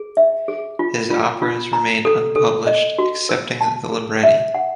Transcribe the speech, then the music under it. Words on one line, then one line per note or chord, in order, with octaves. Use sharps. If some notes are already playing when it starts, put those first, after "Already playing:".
His operas remained unpublished, excepting the libretti.
Already playing: G#4
E5
G#4
F4
F4
F4
A#5
A4
A4
D#5
F#4
A#4
A5
G#4
E5
F#5